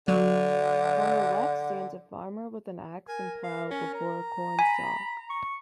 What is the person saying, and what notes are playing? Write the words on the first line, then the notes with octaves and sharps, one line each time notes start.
On the left stands a farmer with an ax and plow before a cornstalk.
D3 F#3
A#4 G#5
F5
C#4
A#5
G#5 B5
C#6